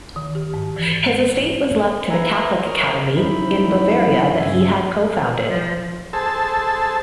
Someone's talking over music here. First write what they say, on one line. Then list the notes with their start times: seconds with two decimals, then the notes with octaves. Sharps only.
His estate was left to the Catholic Academy in Bavaria that he had co-founded.
0.16 D#3
0.35 G4
0.54 G#2
0.76 E3
0.93 A6
1.09 G#3
2.10 B4 E5 G#5 A#5
2.66 A#4 C#5 D#5 F6
3.17 F#2 D#4 E4 C5 B5
4.40 G2 C#3 E5 G#5 C6
5.50 F3
6.13 G#4 A4 C5 A5 E6